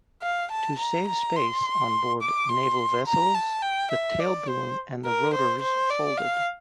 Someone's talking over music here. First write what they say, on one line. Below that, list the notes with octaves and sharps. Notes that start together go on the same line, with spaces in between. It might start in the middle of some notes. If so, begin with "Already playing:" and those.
To save space on board naval vessels, the tail boom and the rotors folded.
F5
A5
A#5
A#5
C6
D6
C6
A#5
A5
G5
E5
D5
C5
A#4
C5
C5
D5
F5